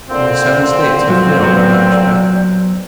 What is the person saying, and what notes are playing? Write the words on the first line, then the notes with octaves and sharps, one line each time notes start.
Only seven states have failed in that respect.
A#2 D3 C4
F3 F#3
F#3 B3